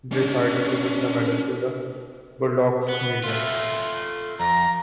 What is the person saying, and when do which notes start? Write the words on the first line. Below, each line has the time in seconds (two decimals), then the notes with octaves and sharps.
They decided to gift the medal to the Bulldogs museum.
0.12 C#4 D4
2.89 B3
3.24 A3 F4
4.40 F2 A#5